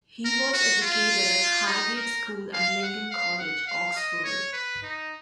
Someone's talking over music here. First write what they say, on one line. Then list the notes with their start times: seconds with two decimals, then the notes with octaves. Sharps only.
He was educated at Highgate School and Lincoln College, Oxford.
0.25 A#4
0.53 F#4
0.82 F4
1.67 D#4
1.96 A#4
2.53 F5
2.82 F#5
3.11 F5
3.39 F#5
3.67 F5
3.96 D#5
4.24 C#5
4.53 B4
4.83 D#4